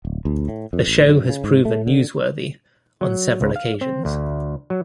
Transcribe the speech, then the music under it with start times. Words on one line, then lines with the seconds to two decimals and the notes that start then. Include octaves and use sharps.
The show has proven newsworthy on several occasions.
0.05 D1
0.25 D2
0.49 A2
0.73 F2
0.87 A1
1.09 F#2
1.29 C#3
1.44 G#2
1.65 A3
1.87 D3
3.01 F#3
3.41 C#2
3.56 F5
3.81 C4
4.05 D2
4.70 F#3